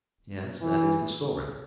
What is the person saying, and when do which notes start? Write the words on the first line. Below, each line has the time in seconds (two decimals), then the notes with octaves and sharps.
"Yes, that is the story."
0.62 E3